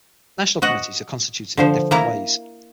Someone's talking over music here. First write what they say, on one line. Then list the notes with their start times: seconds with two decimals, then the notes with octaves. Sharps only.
National committees are constituted in different ways.
0.62 F#4 D#5 F#5
1.57 D3 F3 C5
1.91 A#3 E4 A#5